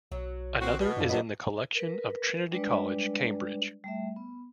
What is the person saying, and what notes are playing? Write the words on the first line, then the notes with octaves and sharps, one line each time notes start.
Another is in the collection of Trinity College, Cambridge.
B1 F#3
C4 F#4
B2
F#2 D4 F4 A4
D3 F#3 B3 G4 D#5
A#4 B4
G3 G#3 D4 B4 D5
G3 A3 E5
B3